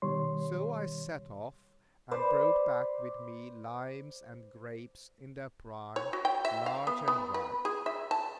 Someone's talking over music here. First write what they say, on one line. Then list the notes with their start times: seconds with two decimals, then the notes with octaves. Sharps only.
So I set off, and brought back with me limes and grapes in their prime, large and ripe.
0.02 B2 D#3 G3 C#5 C6
2.11 B4 C5 D5
5.96 C#5
6.13 F#4
6.25 G5
6.45 E5
6.66 F5
6.87 B3
7.08 B3
7.34 B4
7.65 G#4
7.86 E5
8.11 A5